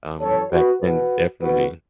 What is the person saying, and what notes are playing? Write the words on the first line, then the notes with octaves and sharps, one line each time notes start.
Um, back then, definitely.
F#2 E3 A4 C#5
F#4 B4
E2 B2 F#4 B4
E2 B2 F#4 B4